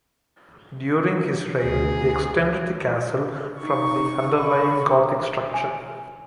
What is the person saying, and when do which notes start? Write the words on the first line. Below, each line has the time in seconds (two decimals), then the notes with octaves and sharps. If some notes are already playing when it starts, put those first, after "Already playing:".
During his reign he extended the castle from the underlying Gothic structure.
1.61 D2 G#4
3.61 D#4 C#6
4.36 B5
5.54 G#5